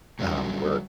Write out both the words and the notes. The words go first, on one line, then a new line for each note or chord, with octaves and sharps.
um, work.
A2 D3 F#3 G3 C#4